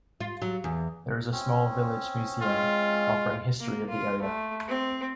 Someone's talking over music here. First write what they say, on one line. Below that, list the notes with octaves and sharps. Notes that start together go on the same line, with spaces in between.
There is a small village museum, offering history of the area.
F4
F#3
E2
C4 C#4
G#3 F4
A#3
F4
A3
C4